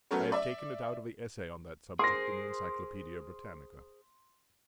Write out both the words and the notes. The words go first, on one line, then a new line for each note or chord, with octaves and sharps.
I have taken it out of the essay on that subject in the "Encyclopaedia Britannica."
F#3 A3 B3 C#4 A#4 C#5
D5 E5
G#4 A#4 C5 C6 A#6